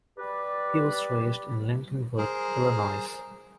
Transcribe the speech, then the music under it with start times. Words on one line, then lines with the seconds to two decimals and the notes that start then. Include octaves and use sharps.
He was raised in Lincolnwood Illinois.
0.18 G4 B4 D5
2.18 G#4 A#4 C5